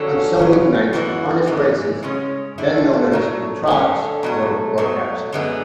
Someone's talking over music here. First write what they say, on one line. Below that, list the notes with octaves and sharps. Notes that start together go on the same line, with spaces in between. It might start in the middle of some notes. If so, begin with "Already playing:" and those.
On some weeknights, harness races, then known as "the trots", were broadcast.
Already playing: D3 F#3 C#4 F#4 A4
B2 F#3 C#4
F#2 E3 G#3 B3 F#4
F#2 E3 G#3 B3
C#3 G#3 C#4
D3 A3 E4
B2 F#3 A3
D3 A3 C#4
B2 F#3 A3
B2 F#3 A3
F#2 D3 G#3 B3